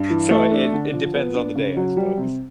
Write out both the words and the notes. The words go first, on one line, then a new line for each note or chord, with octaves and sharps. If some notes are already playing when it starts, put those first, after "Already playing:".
so it it depends on the day, I suppose.
Already playing: G2
E3
A3
D4
D3
F3
B3
D4
C#3
F#3
G3
C3